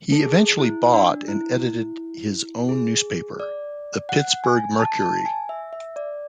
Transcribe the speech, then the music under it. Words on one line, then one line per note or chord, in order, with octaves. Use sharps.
He eventually bought and edited his own newspaper, the "Pittsburgh Mercury".
A4
G#4
E4
D4
E4
G#4
D5
F#5
G#5
A5
A5
G#5
E5
E5
D5